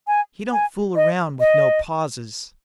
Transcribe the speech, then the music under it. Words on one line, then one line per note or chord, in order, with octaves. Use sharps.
He don't fool around with no pauses.
G#5
G#5
D#5
D#5